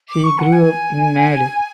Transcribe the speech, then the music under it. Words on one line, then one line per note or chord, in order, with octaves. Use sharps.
She grew up in Made.
D6
C#6
F#5
G#5